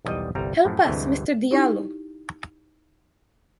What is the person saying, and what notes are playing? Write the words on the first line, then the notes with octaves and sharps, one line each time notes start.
Help us Mister Diallo!
B1 E2 D#3 G3 D#5
G1 C2 G3 A#5
F#2 A2 F3
D2 G2 C3 E3 G#3 A3
D#4 E4 G4